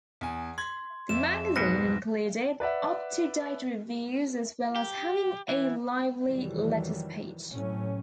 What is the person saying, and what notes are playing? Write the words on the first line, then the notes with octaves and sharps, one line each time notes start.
The magazine included up-to-date reviews, as well as having a lively letters page.
E2 G#5
C6 G#6
F2 E5 E7
B1 G#2 B4 A#6
B4 D5 E5 F#5
G4
E3
F2 C3 D#3 E3 F#3 G3
A2 C3 F#3 C#4